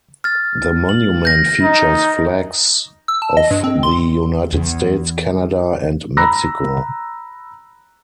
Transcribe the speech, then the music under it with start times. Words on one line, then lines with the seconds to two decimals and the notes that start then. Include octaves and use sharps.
The monument features flags of the United States, Canada, and Mexico.
0.24 F6 A6
0.89 F#7
1.25 G6 A#6
1.63 D#4
3.08 E6
3.22 A5
3.37 D#5
3.51 G2
3.64 C4
3.83 C6
4.53 E2
6.17 A#5 B5 E6 F#6 A#6